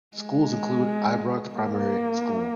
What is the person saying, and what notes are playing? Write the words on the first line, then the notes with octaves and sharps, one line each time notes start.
Schools include Ibrox Primary School.
G#3
A#3